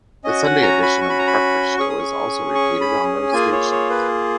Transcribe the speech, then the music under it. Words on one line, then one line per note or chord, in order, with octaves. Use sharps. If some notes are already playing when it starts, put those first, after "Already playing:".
The Sunday edition of "The Breakfast Show" is also repeated on those stations.
C#4 F#4 D#5
F#5
A#5
B5
C#6
B5
A#5
B5
C#4 G#4 C#6
D#6
C#6
C#6
B5
A#3 F4 G#4 G#5
C#5
C#5
B4